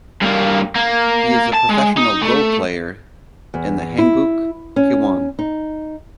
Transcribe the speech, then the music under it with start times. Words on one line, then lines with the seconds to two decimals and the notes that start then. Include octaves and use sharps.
He is a professional Go player in the Hanguk Kiwon.
0.21 G2 A#3
0.75 A#3
1.55 A5
1.70 G#3
1.97 D#4
2.22 A3
3.54 E2
3.99 E4
4.76 C#4
5.39 D#4